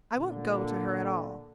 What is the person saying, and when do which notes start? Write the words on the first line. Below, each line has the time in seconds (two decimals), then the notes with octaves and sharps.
I won't go to her at all.
0.15 A#2 D3